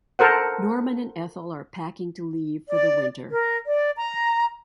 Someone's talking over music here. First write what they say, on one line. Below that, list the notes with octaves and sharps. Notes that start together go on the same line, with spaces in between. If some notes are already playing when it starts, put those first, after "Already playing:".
Norman and Ethel are packing to leave for the winter.
A4 A#4 C5 F#5
D5
A#4
D5
A#5